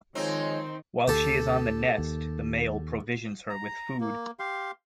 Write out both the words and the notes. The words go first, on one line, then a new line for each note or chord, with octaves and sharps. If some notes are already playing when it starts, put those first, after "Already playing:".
While she is on the nest, the male provisions her with food.
D#3 F3 G#3 C4 D#4 C#5
D2 G4 A4
D#2
A#5
A#3
G4 F5 C6